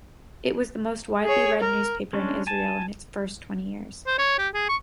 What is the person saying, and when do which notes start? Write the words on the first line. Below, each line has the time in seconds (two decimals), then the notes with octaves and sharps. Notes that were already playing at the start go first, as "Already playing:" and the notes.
It was the most widely read newspaper in Israel in its first twenty years.
1.24 G#4 C#5
1.60 A#4
2.13 G#3 C#4 D4
2.47 G#5 A5
4.07 C5
4.18 C#5
4.38 G4
4.54 G#4
4.69 C#6